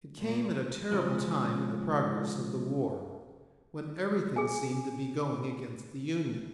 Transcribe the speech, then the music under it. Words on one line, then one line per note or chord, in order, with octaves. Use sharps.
It came at a terrible time in the progress of the war, when everything seemed to be going against the Union.
A#2
C#3 F3 G#3
G#4 G#5